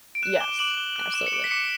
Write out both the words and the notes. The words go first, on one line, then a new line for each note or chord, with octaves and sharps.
Yes, absolutely.
D7
F#6 E7
D6 G7
D6 F#7
D6 G7
F#6 F#7
D6 E7
C#7
D6 D7
B6
D6 C#7